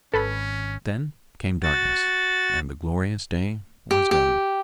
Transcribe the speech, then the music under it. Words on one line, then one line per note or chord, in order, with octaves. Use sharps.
Then came darkness, and the glorious day was done.
G#1 C#4 A4 B4 B5
F#4 A6
G4
G4